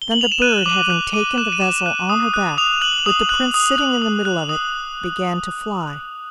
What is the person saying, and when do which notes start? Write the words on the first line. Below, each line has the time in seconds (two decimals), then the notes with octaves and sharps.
Then the bird--having taken the vessel on her back, with the Prince sitting in the middle of it--began to fly.
0.02 G7
0.12 F#7
0.21 F7
0.32 E7
0.42 F#6 D#7
0.66 D6
0.90 F#6
1.14 D6 D#7
1.38 F#6 E7
1.52 D#7
1.62 D6 E7
1.86 F#6
2.10 D#6
2.34 F#6
2.58 D#6 F7
2.82 F#6 F#7
3.06 D#6 F7
3.29 F#6 F#7
3.54 D#6
3.78 F#6
4.02 D#6
4.25 F#6
4.49 D#6